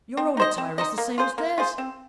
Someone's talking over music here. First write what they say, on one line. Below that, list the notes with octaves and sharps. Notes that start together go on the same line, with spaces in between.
Your own attire is the same as theirs.
C4
D#4 C5 D#5
C4
D#4 C5 D#5
A#3
F4 G#4 C5
A#3
F4 G#4 C5
C4